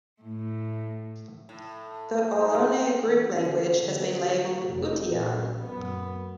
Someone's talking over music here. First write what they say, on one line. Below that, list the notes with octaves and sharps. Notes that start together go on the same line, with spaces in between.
The "Ohlone" group language has been labeled Utian.
A2
A2
D#4 C5
E3 G#3 C#4 F4 F#5
D3 C#4 D4 F4 A4 C#5
B4
D3 F3
F#3 B3 F4 G4 G#4 A#4
D#4 G4 G#4 A#4 E5 F5
F1
A#1
F#2 B3